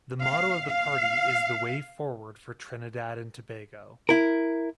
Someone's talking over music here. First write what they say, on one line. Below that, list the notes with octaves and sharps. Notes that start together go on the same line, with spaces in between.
The motto of the party is The way forward for Trinidad and Tobago.
F5
F5
E4 A#4